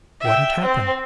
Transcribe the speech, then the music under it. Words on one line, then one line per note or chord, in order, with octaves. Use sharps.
What had happened?
E5 G5
C4